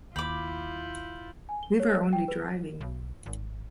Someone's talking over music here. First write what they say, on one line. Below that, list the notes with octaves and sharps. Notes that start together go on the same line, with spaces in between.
We were only driving.
D#2 E4 F4 B5 D6 G6 F#7
G#5
G7
C#5
G5
B4
B1
G#1